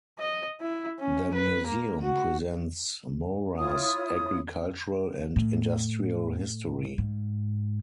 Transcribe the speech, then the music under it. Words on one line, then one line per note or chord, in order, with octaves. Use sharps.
The museum presents Moura's agricultural and industrial history.
D#5
E4
C#4
B4
A#3
F#4
E4 F4 C#5 D#6
A2
G#2